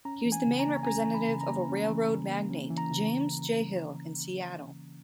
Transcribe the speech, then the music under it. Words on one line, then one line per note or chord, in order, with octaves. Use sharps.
He was the main representative of railroad magnate James J. Hill in Seattle.
C#4 A#5
E3
G#5
C#3
A#5
A#3
G#5
C#4 A#5
E3
B5
C#3
A#5
A#3
C#4
E3
C#3
A#3
C#4
E3
A#5
C#3